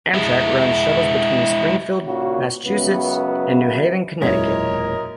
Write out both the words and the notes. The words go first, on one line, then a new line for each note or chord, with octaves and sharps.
Amtrak runs Shuttles between Springfield, Massachusetts, and New Haven, Connecticut.
G#3 E4
D#2 A#2 C#3 A#3 F#4
C#2 F#2 C#3 B3
E1 F#2 A#2 G#3 E4 A#4 C#5 D#5